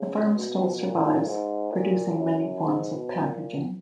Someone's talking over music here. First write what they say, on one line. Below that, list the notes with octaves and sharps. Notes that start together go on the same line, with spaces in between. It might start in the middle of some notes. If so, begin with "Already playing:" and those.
The firm still survives, producing many forms of packaging.
Already playing: C#3
B2
A#2
G#2
A#2
F#2
G#2
B2
A#2